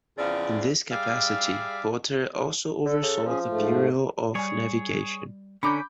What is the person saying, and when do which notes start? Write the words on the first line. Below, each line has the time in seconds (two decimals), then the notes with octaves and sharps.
In this capacity, Potter also oversaw the Bureau of Navigation.
0.18 E2 C#3 F3 C4 G#4 D5
0.91 G3 G#4 D5 E5 F5
2.85 D3 A4
3.02 C#3
3.25 F3 C#4 G#4
3.47 G#2 A3
4.35 G3 G#4 C#5 G#5
5.63 D3 C#4 D4 A#5 B5 D6 G6